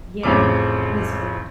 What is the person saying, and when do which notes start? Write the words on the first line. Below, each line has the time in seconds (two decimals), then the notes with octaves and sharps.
Yeah. It was weird.
0.23 A1 F2 C#3 D6